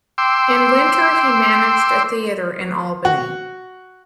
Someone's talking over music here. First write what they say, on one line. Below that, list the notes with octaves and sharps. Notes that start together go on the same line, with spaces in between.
In winter, he managed a theatre in Albany.
G5 C6 D6 E6
F#4